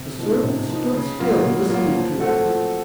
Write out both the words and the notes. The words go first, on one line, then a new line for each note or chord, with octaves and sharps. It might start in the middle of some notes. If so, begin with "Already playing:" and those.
The servant stood still listening to them.
Already playing: C3
F3 A#3 D#4
C3
F3 A#3 D#4
C#3
F#3 A#3 F4
C#3
F#3 A#3 F4
F3
A3 C4 F#4 A4
F3